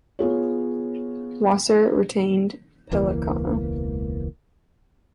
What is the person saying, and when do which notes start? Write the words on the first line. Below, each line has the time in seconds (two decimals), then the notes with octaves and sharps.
Wasser retained Pellicano.
0.19 B3 F4 G#4 C#5
2.92 E1 C#2 E3 A#3